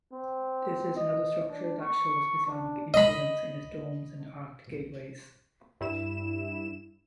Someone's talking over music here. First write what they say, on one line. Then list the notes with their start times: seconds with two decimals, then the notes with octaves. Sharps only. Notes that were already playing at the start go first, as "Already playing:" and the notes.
This is another structure that shows Islamic influence in its domes and arched gateways.
0.13 C4
0.96 D#5
1.49 D4
1.81 C#6
2.47 D4
2.94 D#5 B5
5.81 G2 E4 E7